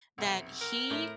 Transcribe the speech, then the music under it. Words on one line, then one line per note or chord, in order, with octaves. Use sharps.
that he,
B1 F2 C3
A#4
A2 A3